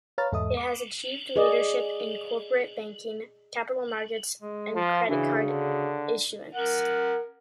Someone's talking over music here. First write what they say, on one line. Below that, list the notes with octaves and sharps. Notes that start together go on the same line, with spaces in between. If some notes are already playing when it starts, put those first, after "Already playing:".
It has achieved leadership in Corporate Banking, Capital Markets and Credit Card issuance.
B4 C#5 F5 A#5 F6 A6
E2 G#2 A4 D#5 E5 D#6
D6
G#4 D5 D#5
G#3
F3 F4
C#3 E3 D4 F#4
D3
A#4 F#5